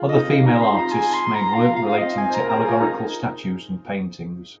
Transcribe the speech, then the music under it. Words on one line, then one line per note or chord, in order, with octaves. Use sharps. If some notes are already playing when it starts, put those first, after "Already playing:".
Other female artists made work relating to allegorical statues and paintings.
Already playing: F4 G#4
D#5
D#4
D#4 F5
D#4 A#5
C4 C6
D#4
F4 A#5
G#4 G#5
C6
A#5
D#4 F5
F4
F5
D#4
F5
C4 D#5
G#5
C5 A#5
A#4
A#5
G#4
F4 G#5
D#4 A#5